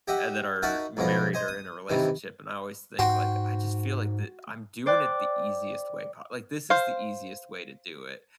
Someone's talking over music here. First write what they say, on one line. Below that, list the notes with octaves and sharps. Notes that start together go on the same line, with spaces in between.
and then are married or in a relationship, and I always think, like I just feel like the I'm doing it the easiest way po like, this is the easiest way to do it,
G4 D#5 E5 F#5
D#4 F#4 A#4 E5 F#5 A5
B1 E2 B2 F3 A#5
C5 D#5 G#5
D#6
G2 C3 D#3 E3
G#2 F#4 G5 C6
C5 D5 G5 F#6
C5 F5